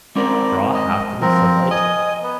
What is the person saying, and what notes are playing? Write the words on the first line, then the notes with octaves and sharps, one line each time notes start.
Straw hat in sunlight.
G#3 C4 A#4 D5
D#5
E3 F3 C4 A#4
D#5 G#5 D#6
B3